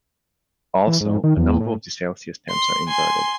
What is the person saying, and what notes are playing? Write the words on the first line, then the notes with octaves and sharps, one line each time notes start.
Also, a number of the celsius temps are inverted.
E3
G#2
D#3
E2
A2
C6
G#5 C6